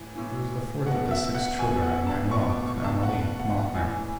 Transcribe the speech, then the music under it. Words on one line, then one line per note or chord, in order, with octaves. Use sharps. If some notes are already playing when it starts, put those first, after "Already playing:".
He was the fourth of the six children of Emmanuel and Amalie Mauthner.
Already playing: A2 E3
A2 E3
B2 F#5
E5
F#5
B2 G#5
F#5
A5
B2 C#6
D6
C#6
A5
B2 F#5
F#5
F#5
F#5
A2 E3 G#5